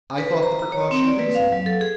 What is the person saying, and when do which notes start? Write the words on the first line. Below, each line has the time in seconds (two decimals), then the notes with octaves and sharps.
I thought the precaution reasonable.
0.18 B4
0.30 C5
0.43 A#5
0.59 A#5
0.72 C#5
0.91 C4
1.07 D5
1.19 B4
1.35 F5
1.52 F#3
1.66 A4
1.81 G#4